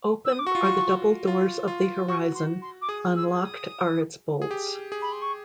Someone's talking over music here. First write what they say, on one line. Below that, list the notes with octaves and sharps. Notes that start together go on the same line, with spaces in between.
Open are the double doors of the horizon; unlocked are its bolts.
E6
D#6
D6
F#4 C#6
F4
F#4
F4
F4
F#4 C#6
C6
C6
D6
G#4 D#6
E6
D#6
G#4
G4
G#4
B5
C6
C#6